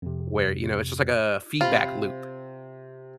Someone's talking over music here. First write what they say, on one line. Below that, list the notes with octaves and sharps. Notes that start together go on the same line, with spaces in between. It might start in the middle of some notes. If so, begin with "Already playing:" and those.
where, you know, it's just like a feedback loop.
F2 C3
C3 F4 B5 C6